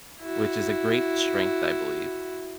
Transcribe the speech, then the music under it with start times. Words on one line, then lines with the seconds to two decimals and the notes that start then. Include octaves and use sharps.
which is a great strength, I believe,
0.21 E4 F#4